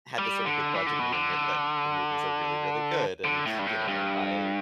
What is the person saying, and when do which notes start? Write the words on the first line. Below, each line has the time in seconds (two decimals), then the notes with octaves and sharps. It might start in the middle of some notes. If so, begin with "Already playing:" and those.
had to sort of begrudgingly admit that the movies are really, really good. And, you know, I
0.19 G3
0.46 D3
0.74 E3
0.87 D3
0.99 B2
1.12 D3
3.24 D3
3.46 A2
3.59 G2
3.67 A2
3.88 G2